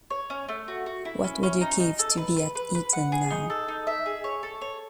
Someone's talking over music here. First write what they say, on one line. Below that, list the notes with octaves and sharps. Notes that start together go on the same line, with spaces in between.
What would you give to be at Eton now?
C#5
C#4
A3
F#4
F#4
E4
C#4
C#4
D#4
D#4
A4
B4
B4
B4
B4
F#5
G#4
D#4
A4
D#4
E5
G#4
C#5
A4
C#5